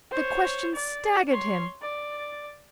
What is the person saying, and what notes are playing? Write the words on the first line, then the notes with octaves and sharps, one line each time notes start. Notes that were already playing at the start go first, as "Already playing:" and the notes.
The question staggered him.
C5 C#5
D5
C#5 C6
D5